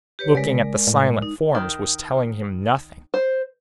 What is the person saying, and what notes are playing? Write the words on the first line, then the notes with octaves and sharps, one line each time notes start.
Looking at the silent forms was telling him nothing.
G4 B4 C#5
C#3 G#3 A#4 D5
A2
D#4
D#3
C5